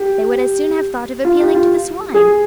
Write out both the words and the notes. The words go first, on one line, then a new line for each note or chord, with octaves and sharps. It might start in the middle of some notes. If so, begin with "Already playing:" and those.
They would as soon have thought of appealing to the swine.
Already playing: G4
F4
G4
F4
G#4